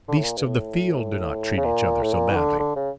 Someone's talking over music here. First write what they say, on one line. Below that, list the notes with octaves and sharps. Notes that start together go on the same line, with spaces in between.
The beasts of the field do not treat each other so badly.
D3
A2
A#2
G2
A2
C#3
A#2
A2
A#2
E3
D3
D3
C#3